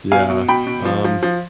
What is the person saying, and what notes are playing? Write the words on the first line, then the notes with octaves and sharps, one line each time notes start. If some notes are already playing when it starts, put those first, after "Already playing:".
Yeah, um
B2 F5 G#5
B2
B2 G5 B5
B2
F3
F3
F3